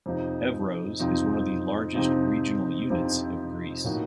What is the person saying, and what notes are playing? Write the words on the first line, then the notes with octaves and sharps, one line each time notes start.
Evros is one of the largest regional units of Greece.
F2 C3 F3 C4 D#4
F2 C3 F3 C4 D#4
F2 C3 F3 C4 D#4
F2 C3 F3 C4 D#4
A2 F3 A#3 D#4 F#4